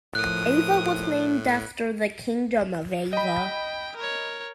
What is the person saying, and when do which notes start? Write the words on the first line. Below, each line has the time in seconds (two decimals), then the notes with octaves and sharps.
Ava was named after the Kingdom of Ava.
0.15 A2 F3 A#4 D#6 F#6
3.13 D#5 G5 B5
3.96 A#4 C#5